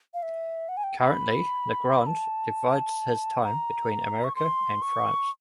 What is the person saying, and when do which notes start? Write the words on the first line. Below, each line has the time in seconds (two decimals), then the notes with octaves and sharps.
Currently, Legrand divides his time between America and France.
0.14 F5
0.23 E5
0.69 F#5
0.77 G#5
0.84 G5
0.99 B5
2.07 A5
3.39 B5
3.44 A#5
4.24 C#6
4.36 C6
4.82 C#6